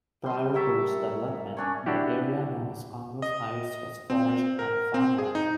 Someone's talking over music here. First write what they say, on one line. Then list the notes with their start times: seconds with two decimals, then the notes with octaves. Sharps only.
Prior to its development, the area known as Congress Heights was forest and farmland.
0.24 G3 C6
0.54 A#4 C#5 E5 A5
1.57 C#4 D4 C#5
1.86 D4 E4 F#4 G4
3.22 D#5
4.10 C4
4.59 A#4
4.94 C4
5.18 G#4
5.35 D#4